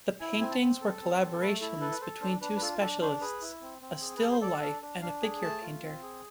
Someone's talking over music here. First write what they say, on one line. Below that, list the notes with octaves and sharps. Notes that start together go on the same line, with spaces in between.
The paintings were collaborations between two specialists: a still life and a figure painter.
E4 G#5
C4 G#5
A5
C4
A4
C4
A4
A3 B4
E4 A4
A4 B4
B4
A4 C5
D4 C5
D4 B4
B4
F4 A4
D4 A4
D4 C5
G#4 B4
E4
C4
C4
G#4
B4
A4
C5
A4 D5
D5
D4 F5
D4
D4 F5
G#4 G#5
A3 A5
F4
C4
G#4